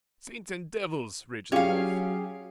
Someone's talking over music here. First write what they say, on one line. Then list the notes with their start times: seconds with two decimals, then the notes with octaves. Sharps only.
"Saints and devils!" raged the Wolf.
1.52 F#3 C#4 F4 G4 G#4 F5